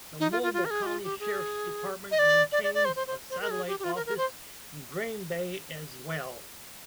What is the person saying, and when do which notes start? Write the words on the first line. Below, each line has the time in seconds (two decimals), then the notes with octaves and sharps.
The Mobile County Sheriff's Department maintains a satellite office in Grand Bay as well.
0.20 D#4
0.32 F4
0.42 F4
0.53 F4
0.65 A#4
0.71 G#4
0.82 G4
0.86 F4
1.03 G4
1.20 G#4
2.11 D#5
2.19 D5
2.52 D5
2.63 D5
2.74 D5
2.85 C5
2.96 C5
3.07 C5
3.30 C5
3.41 A#4
3.50 G#4
3.67 G4
3.79 G4
3.84 F4
3.95 A#4
4.06 A#4
4.17 C5